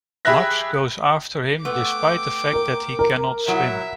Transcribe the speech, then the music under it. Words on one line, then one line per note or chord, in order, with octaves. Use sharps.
Maps goes after him despite the fact that he cannot swim.
G4 G#4 E5 B5 F#6 A#6
A3 B3 G5 D6
A#4
A#4
B2 F#3 E4 E5